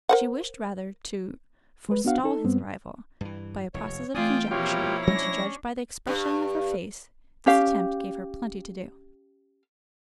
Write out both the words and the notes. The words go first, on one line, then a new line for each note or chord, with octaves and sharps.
She wished rather to forestall his arrival by a process of conjecture, and to judge by the expression of her face this attempt gave her plenty to do.
A#4 C5 F#5
G#3 B4
B3 D4 F#4 F5 F#5
D#4 A4
G2 G3 B3 C4
G2 E3
F1 D#2 C#5
E3 A3 C4 F4 D5 G5 G#5 D#6
B2 F3 A#3 E4 F4 G4 C#5
F3 F#3 A3 C#4 D4 A#6
G2
C#4 G4 F5